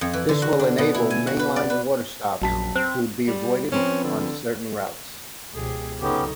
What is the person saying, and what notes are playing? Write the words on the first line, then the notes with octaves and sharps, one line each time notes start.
This will enable mainline water-stops to be avoided on certain routes.
F2
E3
D3
F#4
D4
B2
E4
G#5
F#4
B4
D5
B4
A#1 F#2 A5 B6
C4 C5
G3
F3 C4 C#4 B4
D3
C#2 B2 F3 G4 G#4
C2 F#2 C#3 B3 C#4 D#4 G4 A4